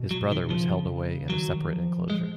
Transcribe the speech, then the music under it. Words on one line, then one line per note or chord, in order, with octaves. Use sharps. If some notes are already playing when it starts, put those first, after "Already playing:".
His brother was held away in a separate enclosure.
Already playing: B2
F#3
D#3
C#3 F3
D#3 F#3
F3
F3 G#3